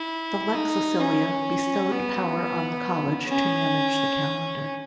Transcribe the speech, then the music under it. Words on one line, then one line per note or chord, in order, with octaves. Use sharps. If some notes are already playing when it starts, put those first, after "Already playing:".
The "lex Acilia" bestowed power on the college to manage the calendar.
Already playing: E4
D#4
C#4
B3
C#4